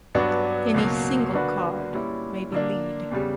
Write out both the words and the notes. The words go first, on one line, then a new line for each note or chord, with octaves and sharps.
Any single card may be lead.
G2 F#3 B3 D4 F#4
C#2 B2 F#3 A#3
D3 A#3 D4 F#4 B4
A#2 G3 C#4 E4
D3 A#3 D4
E2 C#3 G3